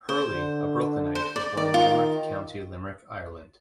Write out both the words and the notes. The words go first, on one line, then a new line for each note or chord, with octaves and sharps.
Hurley, a Brooklynite, was born in Limerick, County Limerick, Ireland.
C5
D3
C5
D5
D#3 D5
F4